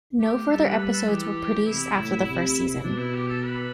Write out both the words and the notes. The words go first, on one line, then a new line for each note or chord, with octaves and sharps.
No further episodes were produced after the first season.
A3 G4
G3 A4
B4
B4
A4
E3 G4
C3 E4
A2
C3
B2 D4
E4
G4
A4
B4